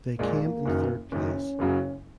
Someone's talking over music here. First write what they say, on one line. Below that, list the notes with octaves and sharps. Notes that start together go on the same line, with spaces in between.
They came in third place.
A#1 A#2 G#3 A#3
F#1 F#2 D#3
F#1 F#2 D#3 C#4
F#1 F#2 C#3 F#3